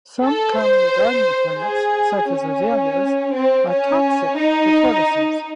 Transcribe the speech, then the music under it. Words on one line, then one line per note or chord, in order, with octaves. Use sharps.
Some common garden plants, such as azaleas, are toxic to tortoises.
A4
C5
G#4
C#4
C4
C#4
D#4